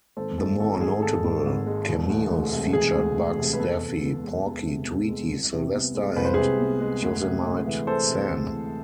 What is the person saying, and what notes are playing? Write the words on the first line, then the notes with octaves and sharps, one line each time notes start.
The more notable cameos featured Bugs, Daffy, Porky, Tweety, Sylvester and Yosemite Sam.
G#1 A4 C5
G#2 A4
G#1 A4
G#3 G#4
G#1 A4
G#2
G#1
G#3
E1
D2
G#3
C3
E1 G#4
D2
G#3
C3
B4
E2 A4
C3
B3
G#3
E2
C3
B3
G#3
C2
C3
B3
G#3
C2 B4
C5
C3 G#4 B4
B3
G#3
D2
C3
D2
E3
D2 A4 C5
C3
D2
E3